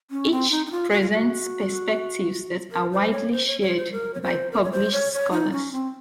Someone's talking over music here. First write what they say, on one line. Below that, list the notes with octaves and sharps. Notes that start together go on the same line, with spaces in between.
Each presents perspectives that are widely shared by published scholars.
C#4
C4
D#4
D#4
F4
F#4
F4
F#4
A#4
C5
C#5
C5
C#5
C#5
C5
A#4
C#5
C5
A#4
C#5
C5
C#5
C#5
D#4
C#4
C4